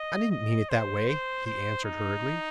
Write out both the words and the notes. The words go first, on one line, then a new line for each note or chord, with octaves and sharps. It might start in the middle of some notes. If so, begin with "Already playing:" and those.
'I didn't mean it that way,' he answered hurriedly.
Already playing: D#5
D#5
C5
C5
C5
D#4